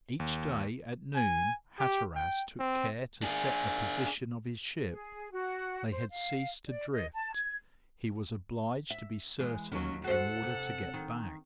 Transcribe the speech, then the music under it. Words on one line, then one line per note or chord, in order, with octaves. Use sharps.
Each day at noon Hatteras took care to set the position of his ship; they had ceased to drift; he was obliged to be certain in order to get back.
D#2
G#5
G4
G5
C4
D4 G#4
G#4
F#4
C5
F5
D5
D#5
A5
G#6
E5
E3 G#3
D#2 F#3 C#4
F#4 A4 C5 F#5
C3
D#3